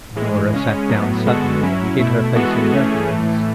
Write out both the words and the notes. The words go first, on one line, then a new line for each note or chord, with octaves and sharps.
Norah sat down suddenly, and hid her face in her hands.
A2 E3 G#3
C#3 G#3 C#4
A2 F#3 B3
D3 G#3 B3 F#4 A4
F#3 C#4 E4
B2 A3 E4
E3 G#3 B3 F#4 A4
E3 A3 C#4 G#4
A2 E3 A3